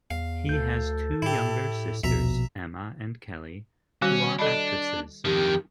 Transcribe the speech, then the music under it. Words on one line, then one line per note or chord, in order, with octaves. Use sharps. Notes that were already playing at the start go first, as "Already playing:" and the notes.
He has two younger sisters, Emma and Kelly, who are actresses.
E2 F5
D2 A4 G6
A2 E4 G4
A#1 D#2 B2 E5 A#5
D#3 G3 C#4 F#4
D4 A4 D#5 B5
F2 D#3 G4